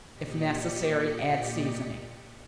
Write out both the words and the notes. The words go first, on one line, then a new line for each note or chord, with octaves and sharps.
If necessary, add seasoning.
A#2 G4 D5 D#5 B6 C#7